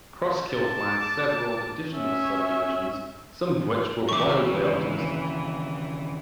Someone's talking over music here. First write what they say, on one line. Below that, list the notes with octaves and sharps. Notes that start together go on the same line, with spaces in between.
Crosskill planned several additional subdivisions, some of which were wildly optimistic.
A5 D6
C#4 E5
D#2 C#3 E3 C#6 D6